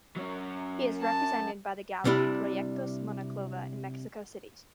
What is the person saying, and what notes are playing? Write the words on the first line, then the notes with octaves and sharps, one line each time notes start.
He is represented by the gallery Proyectos Monclova in Mexico City.
F#3 C#4
A5
C3 G3 D4 E4